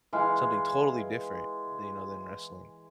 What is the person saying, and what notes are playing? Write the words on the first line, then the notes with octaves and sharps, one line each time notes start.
something totally different than you know, than wrestling.
E3 G#3 F5